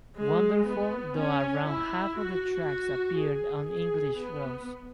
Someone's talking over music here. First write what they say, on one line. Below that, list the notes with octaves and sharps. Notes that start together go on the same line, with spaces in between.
Wonderful, though around half of the tracks appeared on English Rose.
G#3
B3
C#4
E4
F#4
F#4
G#4
G#4
B3